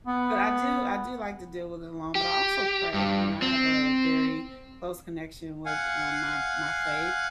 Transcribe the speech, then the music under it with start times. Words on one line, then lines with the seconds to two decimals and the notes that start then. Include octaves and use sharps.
but I do I do like to deal with it alone, but I also pray, you know, I have a very close connection with my my my, faith
0.07 B3
2.15 G4
2.94 G2
3.42 C4
5.66 F5 F#5 G#5